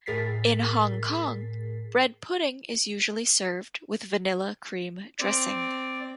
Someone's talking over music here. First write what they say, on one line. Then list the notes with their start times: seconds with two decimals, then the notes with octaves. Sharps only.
In Hong Kong, bread pudding is usually served with vanilla cream dressing.
0.06 A2 G#4 A#4 A6 B6 C7
5.19 C4 D5